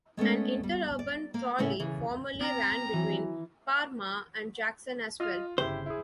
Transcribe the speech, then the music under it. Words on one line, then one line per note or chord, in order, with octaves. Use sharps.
An interurban trolley formerly ran between Parma and Jackson as well.
G#3 A3 B3 C#4
G3
D5
A#3
A2 C#3 A3 C#4 C#5 E5
C#3 E3
C4 A#5
E3 F#3
F4 D#5 F6
G1 C#3 E4 G4 C5
E4 G#4